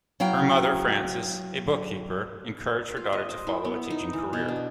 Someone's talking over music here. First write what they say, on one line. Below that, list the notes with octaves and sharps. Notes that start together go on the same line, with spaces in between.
Her mother, Frances, a bookkeeper, encouraged her daughter to follow a teaching career.
F#3 E4 F5 G5 A#5
F4
D#5
C5
E4
B3
D#4
E3
B2
D4